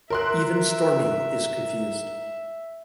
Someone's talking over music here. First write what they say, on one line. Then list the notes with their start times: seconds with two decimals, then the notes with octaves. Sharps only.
Even Stormy is confused.
0.10 A#4 E5 C6 F#6